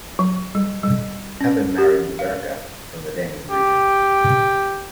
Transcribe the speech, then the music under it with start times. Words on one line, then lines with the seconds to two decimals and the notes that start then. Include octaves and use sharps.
Pepin married Leutberga from the Danube region.
0.19 F#3
0.55 G3
0.83 G3
1.41 C#4
1.78 G4
2.19 F5
3.51 G4